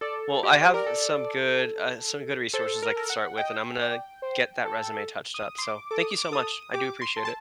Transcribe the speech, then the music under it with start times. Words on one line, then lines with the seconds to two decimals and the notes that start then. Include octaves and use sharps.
Well, I have some good uh, some good resources I could start with, and I'm gonna get that resume touched up, so, thank you so much. I do appreciate it.
0.01 A4 D5
0.43 G4 D#5
0.54 D5
0.63 C5
0.74 A#4 D5
0.86 A4
2.54 A4 C5
2.82 A#4
2.96 A4
3.10 F#5
3.37 D#5 G5
3.80 D5
4.22 C5
4.65 A4
5.34 D#6
5.58 C6
5.62 D6
5.91 A4 D6
6.01 D#6
6.11 D6
6.22 D6
6.32 A4 D#6
6.74 G4 D6
7.02 C6
7.16 A4
7.25 A5